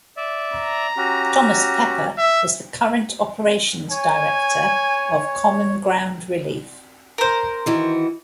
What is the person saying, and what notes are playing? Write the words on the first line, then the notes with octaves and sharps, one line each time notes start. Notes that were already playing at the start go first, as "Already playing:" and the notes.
Thomas Pepper is the current operations director of Common Ground Relief.
D5 E5
A#5
C#4 F#4 G4
E5
C#5 G#5
A#4 C5
D#3 E3 F#4